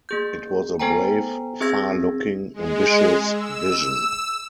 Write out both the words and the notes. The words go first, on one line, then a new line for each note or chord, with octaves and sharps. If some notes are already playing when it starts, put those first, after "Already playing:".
It was a brave, far looking, ambitious vision.
A#3 G#4 G6
B3 A4 C5 G5 G#5 A#5
C4 G#4 E5 E6 G#6 A#6
G#3
E6